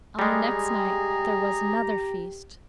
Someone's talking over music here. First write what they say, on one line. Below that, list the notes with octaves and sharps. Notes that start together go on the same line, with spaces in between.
On the next night there was another feast.
G3 G#3 G4 G#4 A#5